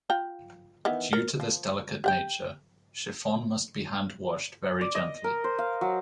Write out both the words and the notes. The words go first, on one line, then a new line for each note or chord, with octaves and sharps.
Due to this delicate nature, chiffon must be hand washed very gently.
F4 G5 A#5
D#3 E3 B3
A#4
F3
G4 F#5 G5
D5
D#5
A#4
C5
F5
F#3